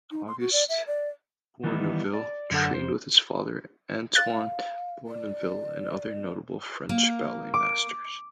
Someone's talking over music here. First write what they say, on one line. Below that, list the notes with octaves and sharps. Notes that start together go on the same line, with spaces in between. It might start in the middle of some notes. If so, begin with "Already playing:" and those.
August Bournonville trained with his father Antoine Bournonville and other notable French ballet masters.
D#4
C6
F#4
D5
E5
D5
D#3 E3 G3 B3 D#4 E4
D5
F#2 D3 D4 A4 F#5
F2 C5
F5 F#6 A6
D5
A#3
D6